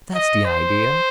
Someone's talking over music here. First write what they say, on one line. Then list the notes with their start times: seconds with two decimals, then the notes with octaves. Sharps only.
"That's the idea!"
0.14 D#5
0.45 C5